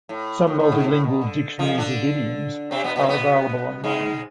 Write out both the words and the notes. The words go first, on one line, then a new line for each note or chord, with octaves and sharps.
Some multilingual dictionaries of idioms are available on-line.
A2
A2
A2
G#2
A2
B2
D3
F2 F3
D3 D4
C3 C4
B2 B3
B2 B3
C4
B2 B3
G#2 G#3